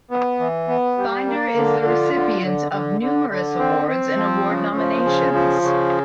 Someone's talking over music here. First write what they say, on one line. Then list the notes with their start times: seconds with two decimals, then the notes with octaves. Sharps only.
Finder is the recipient of numerous awards and award nominations.
0.11 B3
0.40 E3
0.68 B3
0.98 G3
1.27 A#3
1.56 D3
1.85 F3
2.14 D3
2.42 D3
2.72 D3
3.01 D3
3.30 D3
3.59 C4
3.88 C4
4.17 F3
4.46 C#3
4.75 F3
5.04 C#3
5.33 F3
5.62 C#3